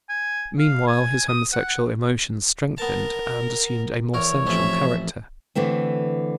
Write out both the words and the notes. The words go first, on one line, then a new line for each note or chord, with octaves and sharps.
Meanwhile his homosexual emotions strengthened, and assumed a more sensual character.
G#5
F5
G#5
D#6
F#5
B3 A#4 A5
E2 A#4 C#5
A1 F2 C#4 E5
D3 E3 A3 C4